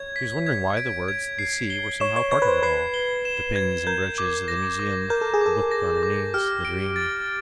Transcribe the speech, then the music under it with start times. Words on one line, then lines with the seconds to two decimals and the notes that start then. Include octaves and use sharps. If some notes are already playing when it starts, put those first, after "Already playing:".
She was wondering why the words "the sea" were somehow part of it all--the pins and brooches of the Museum, the book on her knees, the dream.
Already playing: C#5 G#6
0.16 B6
0.46 G#6
0.77 D7
1.08 G#6
1.39 C7
1.70 G7
2.00 C#5 E7
2.16 C#5
2.31 C#5 G#6
2.42 B4
2.48 C5
2.63 B4 C7
2.94 G7
3.25 E7
3.56 G#6
3.87 A#4 G6
4.18 D6
4.48 A#6
4.79 D6
5.10 A#4 G6
5.21 A4
5.34 G#4
5.41 A4 D6
5.71 A#6
6.03 D6
6.34 G4 F6
6.65 D7
6.96 A6